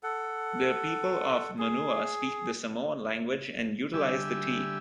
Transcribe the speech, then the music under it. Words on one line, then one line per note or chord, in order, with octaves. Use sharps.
The people of Manua speak the Samoan language and utilize the "t".
A4 F#5
G#4
D3 G3 G4 E5 G#5 E6